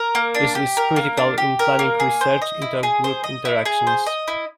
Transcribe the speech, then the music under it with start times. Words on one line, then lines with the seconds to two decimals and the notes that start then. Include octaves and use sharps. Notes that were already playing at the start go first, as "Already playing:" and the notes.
This is critical in planning research into group interactions.
Already playing: A#4
0.15 A#3
0.35 D4
0.55 G4
0.77 A#4
0.96 A#3
1.17 D4
1.38 G4
1.59 A#4
1.79 A#3
2.00 G#4
2.21 C5
2.42 D#5
2.62 E4
2.83 G#4
3.04 C5
3.24 D#5
3.45 E4
3.65 G#4
3.87 C5
4.07 D#5
4.28 E4